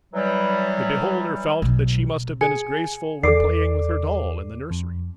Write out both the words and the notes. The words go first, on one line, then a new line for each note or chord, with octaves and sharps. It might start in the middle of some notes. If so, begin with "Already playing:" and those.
The beholder felt that she must have been as graceful when playing with her doll in the nursery.
E3 F#3 G3
B1
G#4 G#5 C#7
E2 A4 D5 D6 C7
F2